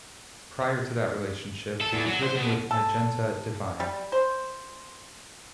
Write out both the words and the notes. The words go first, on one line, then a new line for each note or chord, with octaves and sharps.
Prior to that relationship, he was living with Magenta Devine.
A4
E2
F#3
C5
B2
A4
G3
C5